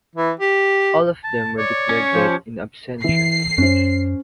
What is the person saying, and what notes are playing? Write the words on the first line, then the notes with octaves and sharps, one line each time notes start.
All of them were declared dead "in absentia".
E3
G4
A5
C#5 D5
C#4
F3 G4
E3 C7
F#2 C#4 C5